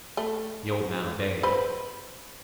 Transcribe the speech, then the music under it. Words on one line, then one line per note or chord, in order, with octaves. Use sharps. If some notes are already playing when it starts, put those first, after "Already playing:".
The old man obeyed.
A3
B4 C5